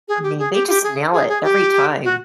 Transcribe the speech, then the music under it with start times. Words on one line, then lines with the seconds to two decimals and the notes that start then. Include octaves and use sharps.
I mean, they just nail it every time.
0.08 G#4
0.23 G4
0.39 G#4
0.53 G4
0.68 G4
0.84 G#4
1.13 G#4
1.28 G#4
1.44 G4
2.04 F#4